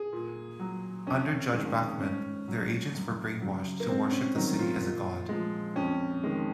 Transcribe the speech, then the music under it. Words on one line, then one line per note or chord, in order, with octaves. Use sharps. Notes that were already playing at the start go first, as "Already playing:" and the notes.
Under Judge Bachmann, their agents were brainwashed to worship the city as a god.
Already playing: G#4
A#2
F#3
F2 C#4
D#3 G#3
G#2 C#4
F#3
F#2
C#3 F#3
A#3
G#2 C4
C#4
D#3 F#3 D#4
F4
A#2
F3 G#3
F2 C#4
D#3 G#3